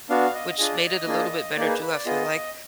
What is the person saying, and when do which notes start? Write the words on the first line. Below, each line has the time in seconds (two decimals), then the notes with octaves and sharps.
which made it a little bit better too, I feel like,
0.10 B3 D4 F#4 F5
0.35 D#5
0.58 D4 F4 G#4 D#5
0.72 D5
0.85 D#5
1.07 A#3 D4 F4 G#4
1.56 A#3 D#4 G#4 D5
1.69 B4
1.81 B4
1.93 D5
2.05 B3 F4 G#4 D#5